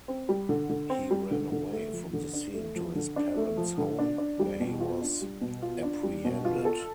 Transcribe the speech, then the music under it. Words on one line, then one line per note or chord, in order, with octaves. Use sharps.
He ran away from the scene to his parents' home, where he was apprehended.
C4
G3
D3
D3
C4
G3
D3
D3
A3
F3
D3
D4
A3
F3
D3
D4
A3
F3
D3
D4
D4
G3
B2
F4
D4
G3
B2
F4
D4
G3
B2
F4
A4